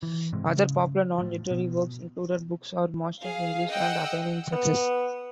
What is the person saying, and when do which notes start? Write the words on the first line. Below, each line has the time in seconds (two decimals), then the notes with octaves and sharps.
Other popular non-literary works included books on mastering English and attaining success.
0.03 E3
0.33 G#2 C3 G#3
0.46 C#3
1.18 A2 F3
1.51 B2
3.19 G#4 F5
3.70 D#5 F#5 G5 E6
4.52 B3